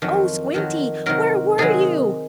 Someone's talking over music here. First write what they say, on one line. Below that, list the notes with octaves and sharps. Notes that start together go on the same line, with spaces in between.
"Oh, Squinty, where were you?"
F2 D#3 F#3
F2 D#3 F#3
C3 D#3 F#3 A#4
C3 D#3 F#3 G#4